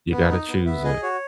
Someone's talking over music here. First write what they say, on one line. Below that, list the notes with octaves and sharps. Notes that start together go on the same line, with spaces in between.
You gotta choose it.
B3
D#4
B3
B3 E5
G#4 D#5
F#4 C#5